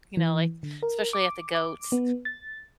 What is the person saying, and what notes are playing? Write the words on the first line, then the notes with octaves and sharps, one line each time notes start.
you know, like, especially at the goats
E3
D3
A#4
D6
D6
B3
A6